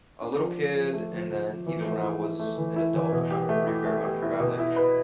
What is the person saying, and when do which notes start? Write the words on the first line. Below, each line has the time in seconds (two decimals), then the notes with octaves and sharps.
a little kid, and then even when I was an adult, I've done a pretty fair amount of traveling,
0.21 D4
0.40 F3
0.58 F3
0.75 F3
0.93 A3
1.12 F3
1.30 F3
1.49 F3
1.66 E3
1.85 A3
2.03 E4
2.21 E4
2.39 A3
2.58 E3
2.76 E4
2.94 E3
3.12 B2
3.31 G4
3.49 A3
3.67 E4
3.85 A3
4.03 G4
4.22 E4
4.40 B2
4.59 E4
4.76 B4